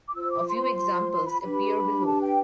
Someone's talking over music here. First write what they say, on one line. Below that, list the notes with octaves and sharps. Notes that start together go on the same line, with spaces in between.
A few examples appear below.
D6
F4 C5 E6
D6
C6
C6
B5
D4 G4 B4 B5
A5
G5